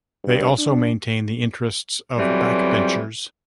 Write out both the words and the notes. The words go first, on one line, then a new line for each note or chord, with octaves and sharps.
They also maintain the interests of back benchers.
G2
D4
F2 B2 E3 F#3 G3 C4